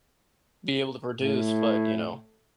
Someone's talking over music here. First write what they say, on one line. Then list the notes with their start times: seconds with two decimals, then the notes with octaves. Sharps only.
be able to produce, but, you know,
1.21 A2